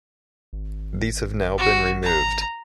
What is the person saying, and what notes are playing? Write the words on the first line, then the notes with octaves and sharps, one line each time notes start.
These have now been removed.
G#1
F#4
A#5